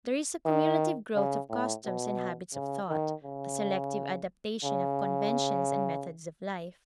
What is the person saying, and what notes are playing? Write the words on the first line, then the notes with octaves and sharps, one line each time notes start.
There is a cumulative growth of customs and habits of thought; a selective adaptation of conventions and methods of life.
D#3
C#3
A2
B2
C#3
D#3
C#3
C#3